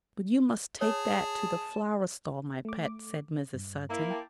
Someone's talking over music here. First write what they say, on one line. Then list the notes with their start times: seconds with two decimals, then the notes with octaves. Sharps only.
'But you must take that to the flower-stall, my pet,' said Mrs. Sutton.
0.81 G#4 C#5 A5
2.65 A3 D6
3.54 G2
3.90 A#3 E4
4.10 G5 A5 D6